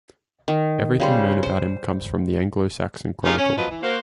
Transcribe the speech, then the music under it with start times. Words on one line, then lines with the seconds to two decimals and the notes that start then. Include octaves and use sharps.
Everything known about him comes from the "Anglo-Saxon Chronicle".
0.48 D#3
1.00 C#3 G3 C5
1.43 C5
3.24 C#4 D#4 F4 G4 G#4 A#4
3.38 C#4
3.57 F3 F#3 A#3 C4 B4 D#5
3.70 E3
3.82 A#3 F#4 C5